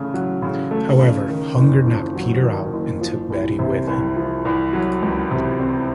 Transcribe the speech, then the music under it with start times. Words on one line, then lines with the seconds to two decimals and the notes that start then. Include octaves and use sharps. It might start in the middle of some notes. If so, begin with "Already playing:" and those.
However Hunger knocked Peter out and took Betty with him.
Already playing: C#3 A3
0.14 F#3
0.42 C#3
0.71 A3
0.99 C#3
1.29 D#3
1.57 F#1
1.86 F2
2.15 F#3
2.43 D#3
2.73 F#1
3.01 F3
3.30 C2
3.59 C3
3.87 C2
4.16 F3
4.45 C2
4.73 F#3
5.03 C#2
5.31 C3
5.60 C4